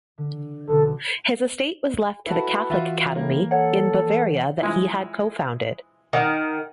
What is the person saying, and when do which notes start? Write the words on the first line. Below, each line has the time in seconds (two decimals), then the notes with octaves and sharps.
His estate was left to the Catholic Academy in Bavaria that he had co-founded.
0.18 D3
0.67 B1 B2 D3 A4
2.26 E4 F#4 A4 B4
2.70 E3 F4 F#4 E5
3.16 A2 A#3
3.51 A4 C#5 F#5
4.61 E3 F3 G#3
6.13 D#3 F#5